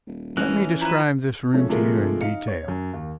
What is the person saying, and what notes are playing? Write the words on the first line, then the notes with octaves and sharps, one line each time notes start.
Let me describe this room to you in detail.
D#1
A1 E3 C#4 F#4
F3 E4 B4 A#5
F3 G#3 A3 C#4
C3 F3 G#3 A3 F4 A#4
D#4 F5 C#7
C#5
F#2
D#2